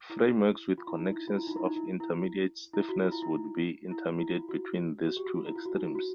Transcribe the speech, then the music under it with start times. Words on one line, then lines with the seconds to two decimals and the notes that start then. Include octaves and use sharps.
Frame works with connections of intermediate stiffness will be intermediate between these two extremes.
0.10 E4
0.78 F4
0.88 E4
0.98 D#4
1.13 E4
1.28 F4
1.37 E4
1.47 D#4
1.51 F4
1.56 E4
1.65 D#4
1.76 E4
2.00 E4
2.74 E4
2.89 F#4
3.03 F4
3.12 E4
3.22 E4
3.32 D#4
3.91 E4
4.20 E4
4.35 F4
4.49 F#4
5.07 F#4
5.17 G4
5.26 F#4
5.36 F4
5.46 E4
5.56 F4
5.66 F#4
5.76 D#4
5.86 E4
5.95 F#4